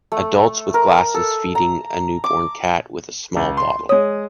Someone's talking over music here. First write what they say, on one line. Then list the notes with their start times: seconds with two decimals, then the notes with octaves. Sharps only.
Adults with glasses feeding a new born cat with a small bottle.
0.12 A3
0.74 A#4
1.14 A4
1.55 A#5
2.24 D6
3.36 C#2
3.57 C6
3.89 G#3 C#5 D#6